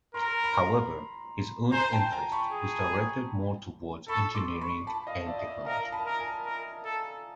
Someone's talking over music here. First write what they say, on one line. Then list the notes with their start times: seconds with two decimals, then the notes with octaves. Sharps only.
However, his own interest was directed more towards engineering and technology.
0.14 A#4 A#5 C6
0.44 B5
0.54 A#5 C6
1.72 C5 G#5 A#5
1.92 G5 A5
2.12 G#5 A#5
2.32 B5 C#6
2.52 G#4
4.08 A4 B5 C#6
4.35 C6 D6
4.61 B5 C#6
4.87 A5 B5
5.07 D#5 F5
5.26 D5 E5
5.38 D#5
5.47 D5 E5
5.66 A#4 D#5 F5
5.92 A5 B5
6.06 A#4
6.19 G#5 A#5
6.45 A#4
6.85 A4